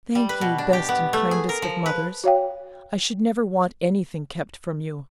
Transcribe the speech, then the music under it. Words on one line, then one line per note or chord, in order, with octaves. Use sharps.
"Thank you, best and kindest of mothers; I should never want anything kept from you."
G3
B4
B2
D4
G4
B3
A3
G#4
A#4
F3
B4
F#4 C#5 F5 G5